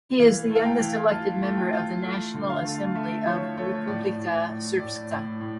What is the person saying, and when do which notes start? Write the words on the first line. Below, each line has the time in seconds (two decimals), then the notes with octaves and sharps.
He is the youngest elected member of the National Assembly of Republika Srpska.
0.19 E3 F5
0.51 A3 F5
0.65 G5
0.81 E3
1.11 F4 A5
1.42 A3
1.57 G5
1.73 F4
2.03 A3
2.34 D3
2.50 F5
2.64 A3
2.95 A3 E5
3.26 F3 C#5
3.57 A3 C#5
3.88 A2 D5
4.19 A2
4.49 A2
4.79 A2 D5
5.11 A2
5.41 A2